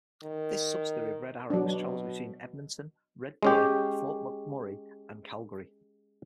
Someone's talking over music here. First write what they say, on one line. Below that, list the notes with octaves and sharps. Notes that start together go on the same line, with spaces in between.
This subsidiary of Red Arrow travels between Edmonton, Red Deer, Fort McMurray and Calgary.
D#3
B2 F#3 D4
G#3 C#4 G4